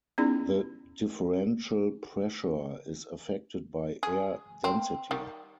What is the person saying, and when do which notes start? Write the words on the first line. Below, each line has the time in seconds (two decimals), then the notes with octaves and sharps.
The differential pressure is affected by air density.
0.18 B3 C#4 D#4 E4 G#4 D5
4.03 G#4
4.64 C4
5.11 D#3 G3